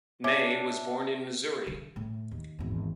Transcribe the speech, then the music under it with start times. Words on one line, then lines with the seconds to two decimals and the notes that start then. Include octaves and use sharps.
May was born in Missouri.
0.24 C#4 D4 D5 E5 D6
1.67 D3 D4
1.96 A2
2.31 D#2
2.59 G#1 E2